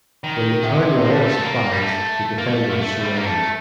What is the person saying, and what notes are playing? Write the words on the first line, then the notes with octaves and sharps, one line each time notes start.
When the town ran out of supplies the defenders surrendered.
D#3
C3
A#3
A3
G3
A3
A3
A#3
G3
A3
A#3
A3
A#3
A3
G3
A#3
A3